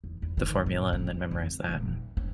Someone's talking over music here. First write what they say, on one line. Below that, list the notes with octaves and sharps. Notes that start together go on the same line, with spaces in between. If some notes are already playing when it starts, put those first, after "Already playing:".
the formula and then memorize that, and
E2
E2
D#3
A2
C#4
F2
D#1
A3
C#4